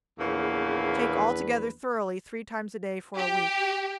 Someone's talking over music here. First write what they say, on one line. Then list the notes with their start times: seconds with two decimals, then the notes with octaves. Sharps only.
Shake all together thoroughly three times a day for a week.
0.20 A#1 E2 C#3 A3 A#3 B4
3.17 G4